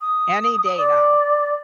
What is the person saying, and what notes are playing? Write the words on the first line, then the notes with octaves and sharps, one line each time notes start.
any day now.
D#6
D5